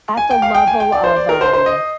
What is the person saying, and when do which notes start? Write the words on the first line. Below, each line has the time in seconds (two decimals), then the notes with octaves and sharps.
At the level of, um,
0.17 G#5
0.31 G5
0.42 F5
0.55 G5
0.67 G#5
0.80 G5
0.92 D5
1.04 C5
1.16 D5
1.29 A#4
1.41 C5
1.53 C5
1.66 D#5